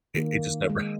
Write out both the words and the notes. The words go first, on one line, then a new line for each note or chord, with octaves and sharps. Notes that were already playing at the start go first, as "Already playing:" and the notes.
It it just never ha
D#3 A#3
G#3